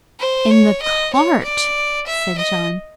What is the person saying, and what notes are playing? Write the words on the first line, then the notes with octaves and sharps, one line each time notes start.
"In the cart," said John.
C5
C#5
D#5
C#5
D5
E5
D#5